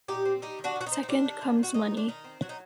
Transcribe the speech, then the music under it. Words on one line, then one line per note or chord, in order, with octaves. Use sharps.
Second comes money.
A#2 D#4 G4
C4
G3 D#4 G4
D#3
D4 F#4
D#3 F#4
D#4
C4
D#4
G3 D4
D#3
D#3
C4 F#4
F#3 D#4
D#3
D4
D#3 D#4
C4
F#3 F#4
D#4